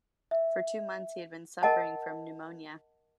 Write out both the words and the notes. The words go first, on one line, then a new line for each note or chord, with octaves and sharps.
For two months he had been suffering from pneumonia.
E5
A#4 D#5 F#5 A5